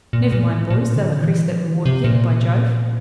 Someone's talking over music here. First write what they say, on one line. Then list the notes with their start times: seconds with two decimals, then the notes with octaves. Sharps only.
'Never mind, boys, they'll increase that reward yet, by Jove!
0.13 A#2
0.32 A#2
0.52 A2
0.70 A#2
0.96 D3
1.22 E3
1.47 F3
1.66 E3
1.86 C3
2.04 A#2